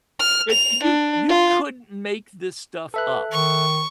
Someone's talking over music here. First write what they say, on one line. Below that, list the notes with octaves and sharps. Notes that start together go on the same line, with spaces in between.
it's you you couldn't make this stuff up.
F6
F7
D4
F4
A4 B4 E5 F#6
D#3 C#6